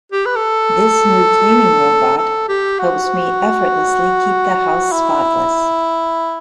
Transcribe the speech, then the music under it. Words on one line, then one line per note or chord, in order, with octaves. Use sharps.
This new cleaning robot helps me effortlessly keep the house spotless.
G4
B4
A4
A4
G4
F#4
E4